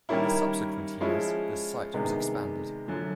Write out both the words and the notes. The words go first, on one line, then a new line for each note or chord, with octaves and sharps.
In the subsequent years this site was expanded.
D#3 G3 A#3 C#4 E4
F3 G#3 C#4 E4
C3 D#3 G#3 B3 D4
F#2 D3 F3